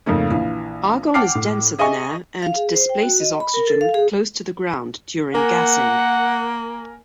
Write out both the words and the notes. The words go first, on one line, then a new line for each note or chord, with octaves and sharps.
Argon is denser than air and displaces oxygen close to the ground during gassing.
F2 G#2 C#3 A3 A#3 C#4
A#1 E3 F5
F#5 G5 A5 D6 F6 C7
A2
G#4 D#5 E5 G#5 C#6
F5
G#4
C5
G5
F#4
D#5
B5
A#4
A4
F5
G#4
A#3 A#4 F#5 G#5